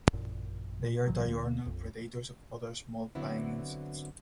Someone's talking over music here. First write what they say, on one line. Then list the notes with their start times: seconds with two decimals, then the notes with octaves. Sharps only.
They are diurnal predators of other small flying insects.
0.13 A1 F#2 A#2
1.07 A#1 G#2 E3 F#3
1.27 D2 D3 F#3 A#3
1.66 A#1 F2
3.15 D3 F#3 B3 C4 E4